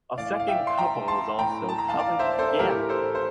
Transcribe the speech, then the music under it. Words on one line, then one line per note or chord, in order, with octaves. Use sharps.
A second couple is also coming together.
A2 E3 D5 F5
F5
E5 G5
C6
G5 A#5
A5 C6
A2 E3 G5 A#5
A5
A#5
F5 A5
D5 F5
C5 E5
A4 C5
A2 E3 G4 A#4
A4 C5
C5